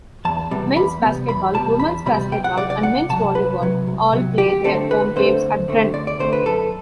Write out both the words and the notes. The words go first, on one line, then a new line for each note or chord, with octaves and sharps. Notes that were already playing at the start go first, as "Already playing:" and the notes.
Men's basketball, women's basketball, and men's volleyball all play their home games at Bren.
E2 A5
C3 G3 B3
E2 B5
C3 G3 B3
E2 B5
C3 G3 B3 A5
E2 B5
C3 G3 B3 B5
C2 G5
F#5
C3 F#3 D5
D5
C2 F#5
C3 F#3 A5
C2 B4
C3 F#3
C2
C3 F#3
D2 G4
D3 A3 C4 A4
D2 B4
D3 A3 C4 C5
D2
D3 A3 C4
D2 D5
D5
D3 A3 C4 C5
B4
F#2 A4